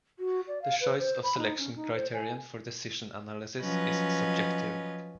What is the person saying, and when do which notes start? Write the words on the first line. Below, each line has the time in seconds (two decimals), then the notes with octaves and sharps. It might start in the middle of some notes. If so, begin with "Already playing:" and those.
The choice of selection criterion for decision analysis is subjective.
0.19 F#4
0.47 D5
0.62 F5
0.81 B4
0.98 C5
1.23 B5
1.37 D#4
1.58 C#4
1.76 D#4
1.95 C5
2.13 G#5
3.62 F3 F#3 C#4 B4 D#5